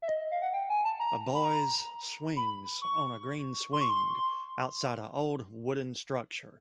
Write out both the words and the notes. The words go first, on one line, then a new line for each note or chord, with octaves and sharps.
A boys swings on a green swing outside a old wooden structure.
E5
D#5
F5
F#5
G5
G#5
A5
A#5
B5
A#5
B5
C#6
C6
C#6
C6